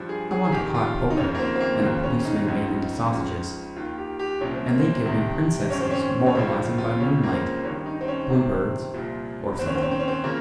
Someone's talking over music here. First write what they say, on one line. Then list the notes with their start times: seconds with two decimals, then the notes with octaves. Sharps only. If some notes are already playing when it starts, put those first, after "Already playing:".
I want a hot poker and a policeman made into sausages, and they give me princesses moralising by moonlight, Blue Birds, or something.
Already playing: G2 F3
0.09 G#4
0.31 G#4
0.45 G#4
0.52 F2 D#3 G4
0.75 F4
1.10 D#4
1.17 F2 C#3 F3 C#4
1.35 A#3
1.39 C4
1.56 C4
1.60 A#3
1.82 D#2 C#3 F3 C4
2.03 C#4
2.25 D#4
2.47 C#2 C#3 F3
3.11 C#2 C#3 F3
3.76 D#2 D#3 F4
3.98 G4
4.19 G4
4.41 C2 A#2 F3 C#4
4.54 C4
4.67 A#3
4.80 C4
5.05 C2 C3 D#3
5.70 F2 D#3 C#4
5.81 C4
5.91 C#4
6.26 C#4
6.35 C#2 C#3 F3 C4
6.78 F4
7.00 C#2 C#3 F3 C#4
7.23 A#3
7.32 C4
7.64 G2 D#3 C#4
7.86 D#4
8.01 C4
8.08 C#4
8.29 F2 C3 D#3 C4
8.94 C2 A#2 F3
9.59 D#2 D#3 C4
9.67 C#4
9.75 C4
9.83 C#4
9.91 C4
10.00 C#4
10.08 C4
10.24 C#3 F3 A#3